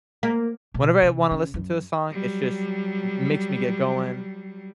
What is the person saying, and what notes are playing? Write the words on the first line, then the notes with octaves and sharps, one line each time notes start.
whenever I wanna listen to a song, it just m makes me get going.
A#3
B2
C3
C#3
F#2
F#3 G3